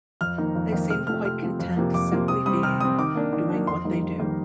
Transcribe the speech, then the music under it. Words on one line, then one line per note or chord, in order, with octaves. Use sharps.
They seem quite content simply being, doing what they do.
F2 F6
D#3 A#3 D#4
F2
D#3 A#3 D#4
C3 F6
F3 A3 C4 F6
C3 F6
F3 A3 C4
F2
C3 F3 A#3
F2 D6
C3 F3 A#3
C3 D#6
G3 C4 D#6
C3 F6
G3 C4 D#6
D#3 D6
A#3 D4
D#3
A#3 D4
F2 C6
D#3 G3 A#3 D#4
F2
D#3 G3 A#3 D#4